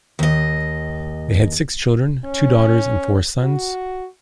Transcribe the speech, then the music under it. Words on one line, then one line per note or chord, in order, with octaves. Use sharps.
They had six children: two daughters and four sons.
D#2 D#5
C#4
F#4